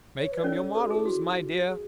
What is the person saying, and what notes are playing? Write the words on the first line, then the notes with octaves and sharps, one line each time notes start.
Make 'em your models, my dear.
C#5
B4
D5
C#4 A4 C#5
G#4 A4
F#4
G#4
E4
F#4
G#4